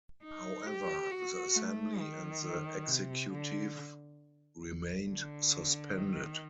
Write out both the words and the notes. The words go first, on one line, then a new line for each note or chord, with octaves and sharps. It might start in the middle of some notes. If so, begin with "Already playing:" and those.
However, the Assembly and the Executive remained suspended.
D#4
G4
F#4
A3
D#3
C3
D3
D3
D#3